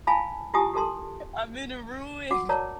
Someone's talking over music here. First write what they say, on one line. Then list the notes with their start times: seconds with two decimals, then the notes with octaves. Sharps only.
I'm in a ruin.
0.07 E4 F5 G#5 A5 B5
0.54 E4 F4 G4 G#5 A5 D#6
0.74 G4 A4 A#4 A5 C6
2.31 F#4 F#5 D6
2.49 A#4 C#5 D5 A5 A#5